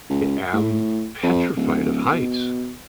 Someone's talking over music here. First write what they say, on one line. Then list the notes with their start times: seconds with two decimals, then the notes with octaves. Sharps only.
I am petrified of heights.
0.10 C#2
0.53 A2
1.23 F2
1.56 D1
2.12 B2